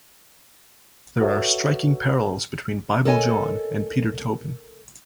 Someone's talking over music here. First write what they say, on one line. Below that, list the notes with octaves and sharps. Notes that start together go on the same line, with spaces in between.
There are striking parallels between Bible John and Peter Tobin.
F#4 A4 B4 C#5 E5
A4 A#4 C#5 D#5 F#5 G#5